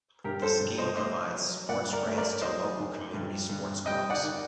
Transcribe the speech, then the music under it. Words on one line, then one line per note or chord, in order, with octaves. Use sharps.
The scheme provides sports grants to local community sports clubs.
G2 G4 A#4
A4 C5
G2
C5 D#5
A3 C5 D#5
F#3
G2 D5 F#5
A#4 D5
A3
A#4 D5
F#3 C5 D#5
D#3
G2
G2
G3 D#5 G5
D5 F#5
D#3